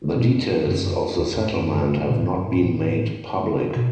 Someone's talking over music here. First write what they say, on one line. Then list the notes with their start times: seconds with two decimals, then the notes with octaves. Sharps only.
The details of the settlement have not been made public.
0.16 B2
0.67 F#2
1.19 E2
1.36 F#2
1.53 F#2
2.00 D3
2.07 B2
2.15 A2
2.22 F#2
2.35 F#2
2.47 A2
2.60 A2
2.73 A2
3.76 B2